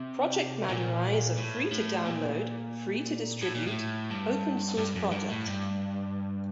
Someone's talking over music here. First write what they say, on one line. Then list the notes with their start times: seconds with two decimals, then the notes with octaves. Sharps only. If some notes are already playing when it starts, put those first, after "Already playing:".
Project madurai is a free to download, free to distribute open source project.
Already playing: C3
0.69 A#2
1.37 A2
1.71 A2
2.06 A#2
3.42 A2
3.55 A#2
3.67 A2
4.10 G2
4.78 G2
4.96 F#2
5.11 G2
5.29 A2
5.46 G2